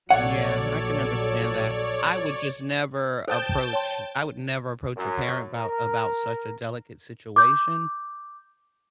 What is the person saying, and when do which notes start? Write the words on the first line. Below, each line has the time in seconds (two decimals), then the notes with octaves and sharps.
Yeah, I can understand that, I would just never approach I would never approach a parent about about such a delicate situation,
0.10 A#1 A#2 F#3 A4 C#5 D5 F#5
3.28 A4 C5 G5 A5 G6
3.73 C#5 C6
4.96 F#2
5.55 A#4
7.36 D6 G6